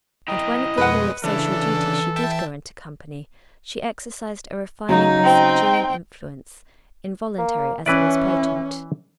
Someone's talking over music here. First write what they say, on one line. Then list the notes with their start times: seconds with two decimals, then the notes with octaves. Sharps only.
And when at the call of social duty she did go into company, she exercised a refining and subduing influence, involuntary as it was potent.
0.28 E4 D#5 G5 A#5
0.78 F2 B2 G#3 B4 F#5
1.24 C#3 E3 D4 A4
2.16 E5 G5 A5
4.89 C#3 F#3 D#4
5.23 C4 G5
7.38 A#3
7.86 E3 C#4 E4 B4 D5